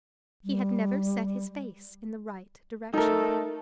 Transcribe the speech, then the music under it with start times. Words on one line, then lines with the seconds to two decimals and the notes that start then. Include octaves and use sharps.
He had never set his face in the right direction.
0.45 G3
2.94 A3 D#4 A4 A#4